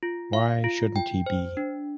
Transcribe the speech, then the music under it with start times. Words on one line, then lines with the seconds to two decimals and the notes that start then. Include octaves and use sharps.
Why shouldn’t he be?
0.03 F4
0.33 F5
0.64 F4
0.96 G5
1.26 C5
1.57 D4